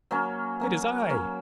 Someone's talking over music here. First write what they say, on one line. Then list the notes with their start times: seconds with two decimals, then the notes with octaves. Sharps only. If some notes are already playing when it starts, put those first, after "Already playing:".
"It is I."
0.11 F#3 A#3 C#4
0.60 F#3 A#3 C#4
1.10 F#3 A#3 C#4